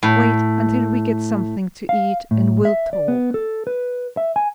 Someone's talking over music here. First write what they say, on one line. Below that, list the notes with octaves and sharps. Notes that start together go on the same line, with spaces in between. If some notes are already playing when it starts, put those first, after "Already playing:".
Wait until we get something to eat, and we'll talk.
A2
F5
A2
E5
D5
B3
A4
B4
E5
G#5